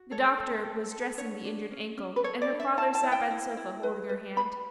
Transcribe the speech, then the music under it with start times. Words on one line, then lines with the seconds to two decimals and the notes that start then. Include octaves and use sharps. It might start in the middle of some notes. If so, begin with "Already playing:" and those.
The doctor was dressing the injured ankle, and her father sat by the sofa holding her hand.
Already playing: F#4
0.11 A4 C#5
0.38 A4
0.65 A4
0.91 A4
1.18 D4 C#5
1.45 D4
1.71 C#4
1.97 C#4
2.16 B4
2.23 A4 C#5
2.42 D5
2.51 D4
2.60 E5
2.77 E4 A5
2.95 A5
3.03 E4
3.12 G5
3.31 E4
3.57 E4
3.83 B4
4.09 B4
4.36 B4 B5